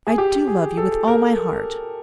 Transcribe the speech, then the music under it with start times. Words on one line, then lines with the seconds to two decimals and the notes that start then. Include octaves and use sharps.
I do love you with all my heart.'
0.07 G#4
0.18 G4
0.48 G#4
0.77 A4
1.08 A#4